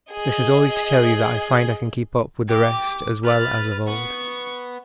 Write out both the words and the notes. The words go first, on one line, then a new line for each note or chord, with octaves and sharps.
This is only to tell you that I find I can keep up with the rest as well as of old.'
G#4 D#5
G4 D6
B4 F6 A6
B3 C#6